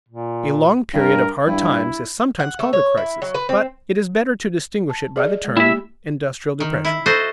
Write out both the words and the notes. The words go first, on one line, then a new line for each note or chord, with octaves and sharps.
A long period of hard times is sometimes called a crisis, but it is better to distinguish it by the term industrial depression.
A#2
G2 A#4
G2 E4
F#5
A3
C#5
E4
F#3
B4
C4
A5
G#4 D5 D#5
G#3
A#3 E4 G4 E5
D#3
E4
F#4 A4 C5 D#5